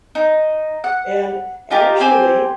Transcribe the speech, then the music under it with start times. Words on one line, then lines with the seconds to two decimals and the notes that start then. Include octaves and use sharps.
and actually,
0.15 D#4
0.84 F#5
1.71 D#4 F4 G4 A#4
2.00 C4 G4 C5 G#5